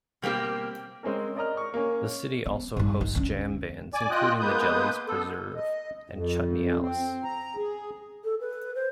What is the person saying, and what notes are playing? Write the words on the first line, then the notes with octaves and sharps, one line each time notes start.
The city also hosts jam bands, including the Jellies, Preserve, and Chutney Alice.
B2 G3 A#3 C4 G4
G#3 C4 C#4 A#4
A#4 D5 D#5 A#5 F6
C#6
A#3 C#4
B3
G2 D#4
D#4
D2 C#4
D5 G#5 D6
F4 D#5 G5 D#6 F#6
G#3 A#3 B3 B4 D#6 G6
B3 A4
D#5
F2
C4
A#5
G#4
A4
B4
C5